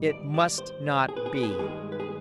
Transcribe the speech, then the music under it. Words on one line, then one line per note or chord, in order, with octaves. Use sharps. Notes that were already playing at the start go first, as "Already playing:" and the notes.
It must not be!...
Already playing: G#2 D#3 G3
D5
D5
C5
G#4
B4
G#4
B4
G#4
B4
G2 D#3 G#3 G#4
B4
G#4